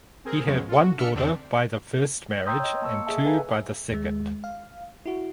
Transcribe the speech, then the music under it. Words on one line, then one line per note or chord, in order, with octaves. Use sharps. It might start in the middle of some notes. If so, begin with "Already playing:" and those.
He had one daughter by the first marriage and two by the second.
C4 G#4 A#4
F2 B2 F3 F#3 G#3 C#4
F4 A4
F#4
D4 E5 F6 C#7
E2 D3 C4 D4
G5 A#5 C6 D#6 E6 G6
C#5 D#5
A#3 A5 C#6 E6
C#7
G#4 D#5 E5 G#5 A5
A4 B4 F5 G#5 A#5
D#2 G#3
F5
E4 F#4